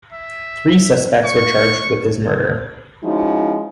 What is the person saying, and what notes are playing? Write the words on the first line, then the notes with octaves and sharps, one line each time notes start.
Three suspects were charged with his murder.
E5
C#6
F3 G#3 C#4 D#4 E4 F#4